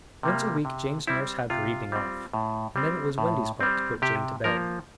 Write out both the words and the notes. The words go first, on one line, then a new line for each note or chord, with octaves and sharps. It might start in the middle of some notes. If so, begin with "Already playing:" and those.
Once a week Jane's nurse had her evening off; and then it was Wendy's part to put Jane to bed.
C3 G3 A#3
C3
G3 C4 E4
C3 F4
G3 C4
A2
G3 C4
A2
G3 C4
C3 G4
F3 A#3 A#4